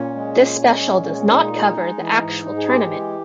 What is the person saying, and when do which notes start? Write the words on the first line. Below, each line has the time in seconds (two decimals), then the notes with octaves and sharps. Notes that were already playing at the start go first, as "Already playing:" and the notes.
This special does not cover the actual tournament.
Already playing: A#2 C#4
0.15 G#3
0.38 A#2
0.62 G#3
0.84 A#2
1.07 G#3
1.30 A#2 D#4
1.53 G#3
1.76 G#3
2.00 E3
2.23 G#2
2.46 G#2
2.57 G#4
2.68 G#3 G4
2.91 E3